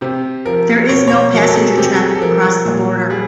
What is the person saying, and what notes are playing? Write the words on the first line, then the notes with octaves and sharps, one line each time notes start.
There is no passenger traffic across the border.
C3 G4
F3 A#4
B2 C#5
C#5
C5
F#3 A#4
A4
G#4
C3 G4
A4
G#4
A4
F3 A#4
A#2
G3 G#4